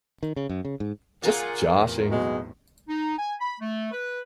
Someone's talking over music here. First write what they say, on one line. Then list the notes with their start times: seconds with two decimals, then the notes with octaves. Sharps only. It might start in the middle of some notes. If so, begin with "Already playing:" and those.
Just joshing!
0.23 D#3
0.36 C#3
0.49 F#2
0.65 C#3
0.80 G#2
1.22 A#2 F4 G#4 A#4 F#5 G#5
1.72 E2 A2 C3
2.11 B1 G#3 B3 F#4
2.88 D#4
3.18 G#5
3.41 B5
3.60 A3
3.92 B4